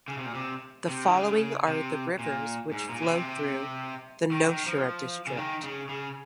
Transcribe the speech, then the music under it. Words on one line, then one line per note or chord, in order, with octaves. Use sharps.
The following are the rivers which flow through the Nowshera District.
C#3
C3
A#2
C3
C3
D#3
C#3
C3
A#2
G#2
A#2
C#3
C3
D#3
D#3
F3
C#3
D#3
C#3
C#3